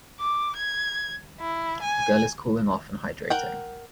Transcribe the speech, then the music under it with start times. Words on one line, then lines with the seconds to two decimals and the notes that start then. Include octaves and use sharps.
A girl is cooling off and hydrating.
0.20 D6
0.56 G#6
1.40 E4
1.82 G#5
3.30 A#4 F#5 G5